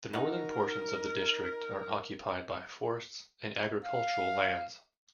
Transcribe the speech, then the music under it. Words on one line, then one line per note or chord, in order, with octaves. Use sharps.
The northern portions of the district are occupied by forests and agricultural lands.
D#4 F#4 A#4
F5